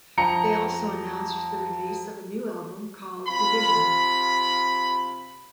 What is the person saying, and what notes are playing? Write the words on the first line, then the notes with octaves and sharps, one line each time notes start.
They also announced the release of a new album called "Division".
F2 G5 A#5 C#7
C3 F4 B5